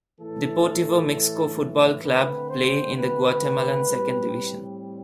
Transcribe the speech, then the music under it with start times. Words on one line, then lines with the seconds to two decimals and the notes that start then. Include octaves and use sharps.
Deportivo Mixco football club play in the Guatemalan second division.
0.19 A2 E3 A3 A4
2.03 D3 A3 C4 B4
2.50 C5
2.96 B4
3.87 A2 G3 C4